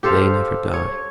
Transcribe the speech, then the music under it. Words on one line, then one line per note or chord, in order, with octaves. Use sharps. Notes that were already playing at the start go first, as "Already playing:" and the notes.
They never die.
G4 A4 C5 F5
C#5